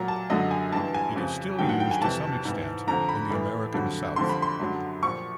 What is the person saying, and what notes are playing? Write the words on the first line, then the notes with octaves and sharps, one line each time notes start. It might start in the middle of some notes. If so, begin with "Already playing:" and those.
It is still used to some extent in the American South.
Already playing: A#2 F#3 A#5
A5
F#2 D3 F#3 D#5
G#5
G2 E3 A5
G#5
F2 C#3 F3
G2 D#3 F#3 G5
F#5
G5
G#5
F2 C3 E3 A5
G#2 E3
F2 D3 F3 A#5
B5
A2 E3
F2 D3 F#3
F2 D3 F3 C6
B5
C6
F#2 D3 F#3
A#2 F3 C#6